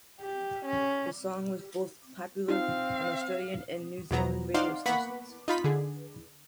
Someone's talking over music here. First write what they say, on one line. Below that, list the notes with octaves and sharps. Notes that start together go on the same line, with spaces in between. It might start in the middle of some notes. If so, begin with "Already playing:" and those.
The song was both popular on Australian and New Zealand radio stations.
G4
C#4
C4 D#4 F4 F5
E2 B2 F#3 B3 A#5
D#4 C5 D5 F5 F#5 C6
A#3 B3 F#5 B5 C#6 B6
D#4 F4 B5 B6
D3 G#4